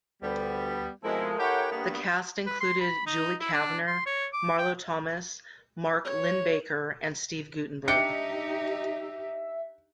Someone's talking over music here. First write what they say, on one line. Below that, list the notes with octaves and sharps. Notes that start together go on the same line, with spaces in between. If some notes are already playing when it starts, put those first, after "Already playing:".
The cast included Julie Kavner, Marlo Thomas, Mark Linn-Baker and Steve Guttenberg.
D2 G3 B3
B2 F3 G#3 A3 C4 E4 A4 A#4
E4 G4 C#5 F#5 G5
G2 A#3 B3
B4
C6
B5
D#4
E4
D4
C6
C#5
D6
G5
C#5
D4 D#4 G4 E5 G5 C#7